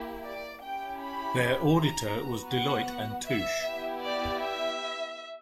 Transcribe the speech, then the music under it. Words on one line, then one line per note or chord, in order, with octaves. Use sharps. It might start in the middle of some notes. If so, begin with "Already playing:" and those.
Their auditor was Deloitte and Touche.
Already playing: A#3 E4 G4
D5
C#4 E4 G4 G5
B5
A#5
B3 F#4
F#5
E5
B3 E4 G4
D5
E5